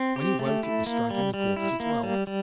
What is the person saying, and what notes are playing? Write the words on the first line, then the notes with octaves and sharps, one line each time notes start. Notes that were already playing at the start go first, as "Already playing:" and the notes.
When he woke it was striking a quarter to twelve.
Already playing: C4
G4
A3
E4
A#3
G3
G3
E4
A#3
G3
G3